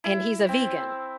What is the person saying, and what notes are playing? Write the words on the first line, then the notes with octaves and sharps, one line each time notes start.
and he's a vegan.
E4
C4